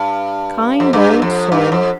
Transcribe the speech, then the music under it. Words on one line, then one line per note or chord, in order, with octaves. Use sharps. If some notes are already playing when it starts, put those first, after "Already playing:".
Kind old soul!
Already playing: G2
F2
G2
F2
G2
F2